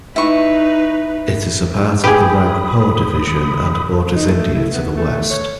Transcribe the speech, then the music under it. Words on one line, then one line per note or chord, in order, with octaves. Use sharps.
It is a part of the Rangpur Division and borders India to the west.
D#4 E4 B4 C#6
G4 G#4 B4 B5 D#6
D#4
A3
E4
B3
A3
C#5